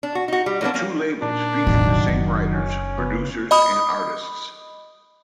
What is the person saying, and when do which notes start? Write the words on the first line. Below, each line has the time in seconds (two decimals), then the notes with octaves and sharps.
The two labels featured the same writers, producers and artists.
0.03 D4
0.15 F#4
0.28 D#4 F#4
0.46 G3
0.61 F#3 A#3 B3 D4
0.74 F#3 A#3 C#4
1.22 A#2 D4
1.67 E1 A1 D#3 F#3
2.08 F#1
2.52 C#4
2.98 C#3 B3
3.51 D#5 B5 D#6